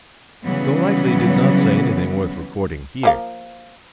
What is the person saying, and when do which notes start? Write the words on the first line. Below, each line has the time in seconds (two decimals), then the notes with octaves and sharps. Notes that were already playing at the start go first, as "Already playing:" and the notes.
Golightly did not say anything worth recording here.
0.44 C#3 E3 F#3 G3 B3
3.03 F3 A#3 F5